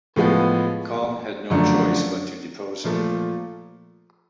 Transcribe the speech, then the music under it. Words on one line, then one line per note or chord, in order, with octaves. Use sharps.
Cong had no choice but to depose her.
A2 F3 G#3 B3
F#2 D3 F3 A3 D4
A#2 F3 A3